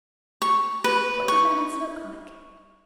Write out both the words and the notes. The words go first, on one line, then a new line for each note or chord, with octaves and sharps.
What did Leonards look like?'
C#6
B4
C#6